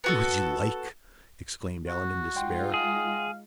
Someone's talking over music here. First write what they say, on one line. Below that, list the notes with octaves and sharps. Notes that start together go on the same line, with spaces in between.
"Do as you like!" exclaimed Allan, in despair.
B3 F#4 A4
F#4
G#3 D#4 F4 F#5 G5 C6
G#4 F5